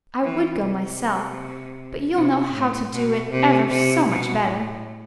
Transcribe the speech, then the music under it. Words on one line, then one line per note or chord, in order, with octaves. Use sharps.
I would go myself, but you'll know how to do it ever so much better.
E3
C3
C3
A2
B2
C3
C3
B2
A2